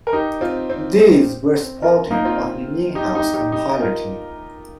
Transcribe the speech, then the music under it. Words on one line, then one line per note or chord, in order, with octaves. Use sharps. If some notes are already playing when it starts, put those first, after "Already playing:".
These were supported by an in-house compiler team.
A#4
D#4 G4
C4 F4
C4
C4
C4
F4 A#4
A#3 D#4
C4 F4
D#4 G4
D#4 G4
D#4 G4
D#4 G4
F4 A#4